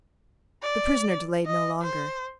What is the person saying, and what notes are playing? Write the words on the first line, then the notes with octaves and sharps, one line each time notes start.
The prisoner delayed no longer.
D5
D#5
C5